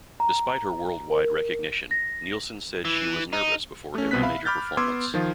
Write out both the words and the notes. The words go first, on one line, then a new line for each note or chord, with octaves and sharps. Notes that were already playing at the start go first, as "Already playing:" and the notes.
Despite her worldwide recognition, Nilsson said she was nervous before every major performance.
A#5
A#4
A#6
E3
D#4
A3 C#4
C2 B2 B3 C4 F#6 B6
E5 F5 B5
B5 D6 F6 G6 A6
B3 C6 D6 E6 G#6
D#3 F3 F4